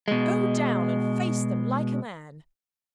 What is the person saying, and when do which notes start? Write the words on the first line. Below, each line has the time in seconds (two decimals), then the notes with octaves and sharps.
Go down and face them like a man.
0.08 B2 G#3